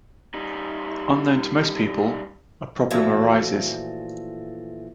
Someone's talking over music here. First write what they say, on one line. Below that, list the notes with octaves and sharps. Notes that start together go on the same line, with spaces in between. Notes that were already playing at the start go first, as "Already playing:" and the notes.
Unknown to most people, a problem arises.
G3 D#4
A#2 E3 F3 A3 F#4 A4